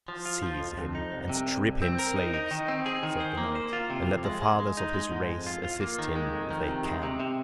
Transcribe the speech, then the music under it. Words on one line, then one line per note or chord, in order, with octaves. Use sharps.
"Seize him and strip him, slaves," said the knight, "and let the fathers of his race assist him if they can."
F3
F4
F3
F2
F2
D#4
C2
C3
C2
C2
C4
A#4
D#4
D#4
D#3
C4
G#4
D#3
C5
A#3
C5
F4
C3
F2
G#3
G#3
G#3
D#4
G#3
G#2
F2
F4
F4
A#3
D#3
G#3
F2
D#3
C3
G#3
C3
C3